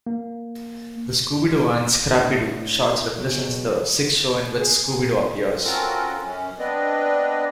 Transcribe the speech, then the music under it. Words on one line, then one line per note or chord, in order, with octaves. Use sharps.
The "Scooby-Doo and Scrappy-Doo" shorts represents the sixth show in which Scooby-Doo appears.
A#3
A2 A3 B3 D4
B2 F#3 G#4
G#4
C4 C#4 F4 F#4 A4 A#4
F#2 C#4
B3 C4 D4 B4 D5 D#5